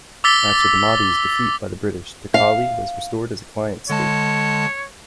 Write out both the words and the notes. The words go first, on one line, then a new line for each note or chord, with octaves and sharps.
After the Mahdi's defeat by the British, Taqali was restored as a client state.
D6 E6 A6 B6 G7
F5
D3 G#3 C#5 A5